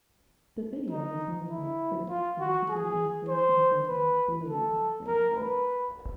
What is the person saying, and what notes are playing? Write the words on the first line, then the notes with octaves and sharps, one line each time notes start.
The video was noted by critics from taking inspiration from the "Blade" franchise.
D#4
E4
F4
F#4
G#4
C5
B4
A4
A#4
B4